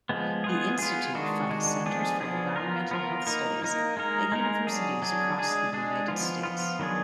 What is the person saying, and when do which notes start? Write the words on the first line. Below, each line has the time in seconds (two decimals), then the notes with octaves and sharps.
The Institute funds centers for environmental health studies at universities across the United States.
0.09 F3 G#3 B3
0.44 B3 F4 G#4
0.79 B3 F4 G#4
1.15 D#3 G#3 D4 F#4
1.49 D#3 G#3 D4 F#4
1.86 F3 B3 D4 G#4
2.21 F3 B3 D4 G#4
2.56 B3 F4 A#4
2.91 B3 F4 A#4
3.27 A#3 D#4 A#4
3.62 A#3 D#4 A#4
3.97 G#3 D#4 A#4
4.32 G#3 D#4 A#4
4.67 F#3 D4 G#4
5.02 F#3 D4 G#4
5.38 G#3 D4 G#4
5.73 G#3 D4 G#4
6.08 F3 B3 F4
6.43 F3 B3 F4
6.79 D#3 F#3 B3 D4 G#4